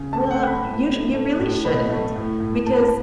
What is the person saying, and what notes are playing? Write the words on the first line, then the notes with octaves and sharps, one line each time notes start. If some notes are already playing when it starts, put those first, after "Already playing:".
Well, you sh you really shouldn't because
Already playing: C#3
A3 A5
F#5
A3
B5
A2
A2
A3
A2
B2 B5
A3
A2
A2
A2 A5
B5
A5